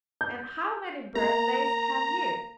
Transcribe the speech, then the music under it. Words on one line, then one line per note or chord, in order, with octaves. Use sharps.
'And how many birthdays have you?'
G6
A#3 A#5